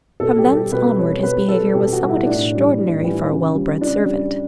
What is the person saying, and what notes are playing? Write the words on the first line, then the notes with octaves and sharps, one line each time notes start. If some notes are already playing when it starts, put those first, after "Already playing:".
From thence onward his behaviour was somewhat extraordinary for a well-bred servant.
B2 A4
G4
G3
A4
B2 B4
G3 C#5
B2 B4
G3 A4
B2 G4
F#4
G3
E4
A2 D4
E3 G3
A2
E3 G3
C#3
G3
C#3 D4
G3